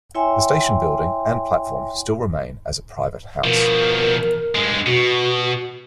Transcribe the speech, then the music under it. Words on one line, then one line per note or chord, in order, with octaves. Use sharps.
The station building and platform still remain as a private house.
E4 C#5 E5 G5 G#5 C6
B2 F3 A#4
G2 G#3
B2 F#4